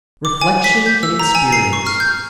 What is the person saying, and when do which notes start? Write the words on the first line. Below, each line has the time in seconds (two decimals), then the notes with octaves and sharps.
Reflection in Experience.
0.25 D6
0.42 G#5
0.64 B6
0.86 G6
1.03 E6
1.19 A#5
1.35 G#5
1.52 C7
1.73 C#6
1.87 F6
2.00 G6